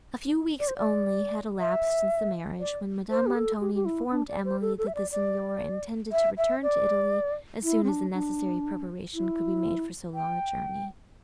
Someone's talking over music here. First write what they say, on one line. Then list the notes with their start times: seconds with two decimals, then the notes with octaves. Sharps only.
A few weeks only had elapsed, since the marriage, when Madame Montoni informed Emily, that the Signor intended to return to Italy, as soon as the necessary preparation could be made for so long a journey.
0.60 D5
0.68 C5
0.77 D5
1.59 E5
2.60 D5
3.10 C5
3.27 G4
3.35 A4
3.61 G4
3.74 G4
3.86 E4
4.11 D4
4.28 D5
4.45 C5
4.61 A4
4.78 A4
4.87 E5
4.95 D5
5.11 D5
6.12 E5
6.38 E5
6.63 D5
7.63 E4
7.84 C4
7.89 D4
8.13 D4
9.14 E4
10.15 G5